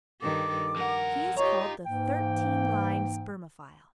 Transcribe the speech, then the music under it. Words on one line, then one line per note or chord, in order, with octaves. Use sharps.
He is called the Thirteen-lined Spermophile.
G2 D#3 A4 D6
F2 A#4 F#5
D#4 F4 G4 C#5 D#5 A#5
G#2 E3 A#3 G5